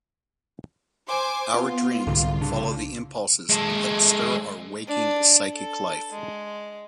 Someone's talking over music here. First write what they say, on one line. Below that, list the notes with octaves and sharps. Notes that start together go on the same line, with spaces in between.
Our dreams follow the impulses that stir our waking psychic life.
C5 G#5 D6
B3 F4
C2 G#2 D3
C#3 D4
G#3 A4
D4
A4
G#3